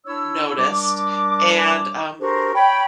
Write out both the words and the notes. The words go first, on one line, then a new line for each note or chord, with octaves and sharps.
noticed, and, um,
D4 E4 C#5 E6
G3 D4 A#4 D6
D4 F#4 G4 A4 A#4 C5
C#5 G5 B5